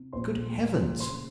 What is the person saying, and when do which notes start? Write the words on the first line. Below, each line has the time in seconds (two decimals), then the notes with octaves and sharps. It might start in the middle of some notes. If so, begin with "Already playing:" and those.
Good heavens!
Already playing: C3
0.13 A#1 C5 C6
0.35 A#1
0.57 A#1
0.79 A3
1.00 C#3 C5 C6